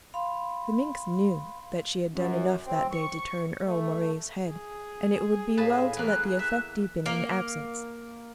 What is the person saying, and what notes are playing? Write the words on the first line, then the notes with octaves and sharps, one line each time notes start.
The minx knew that she had done enough that day to turn Earle Moray's head, and it would be well to let the effect deepen in absence.
F5 B5 C6
F#2
C4
C#6
A3
G#4
A2 B4 F5 A5
E2 A#3 F#6
E5
A#3 A#4